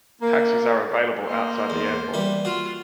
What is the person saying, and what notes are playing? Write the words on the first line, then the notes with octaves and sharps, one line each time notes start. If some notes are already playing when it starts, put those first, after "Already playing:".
Taxis are available outside the airport.
A#3
A#3 C5
E2
E3 G3
F4 F#4